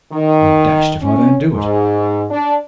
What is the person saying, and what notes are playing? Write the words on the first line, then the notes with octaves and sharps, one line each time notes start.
'I'm dashed if I don't do it.
D#3
C#4
G#2
D4